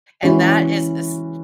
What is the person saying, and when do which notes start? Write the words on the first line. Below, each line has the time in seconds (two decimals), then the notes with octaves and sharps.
And that is a s
0.23 E3 G#3 C#4 F#4